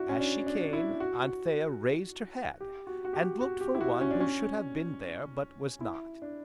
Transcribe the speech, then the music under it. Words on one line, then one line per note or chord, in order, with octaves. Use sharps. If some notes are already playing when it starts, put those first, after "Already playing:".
As she came, Anthea raised her head, and looked for one who should have been there, but was not.
Already playing: D4 E4 F#4
C#4
D4
D4
E4
F#4
G4
F#4
F#4
G4
F#4
G4
E4
F#4
C#4
D4
C#4
E4
D4